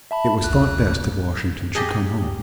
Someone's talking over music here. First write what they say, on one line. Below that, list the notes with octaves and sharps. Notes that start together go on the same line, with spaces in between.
It was thought best that Washington should come home.
E5 A5 B5
A#1 D#2 F#6
G4 G#4 D#5 A5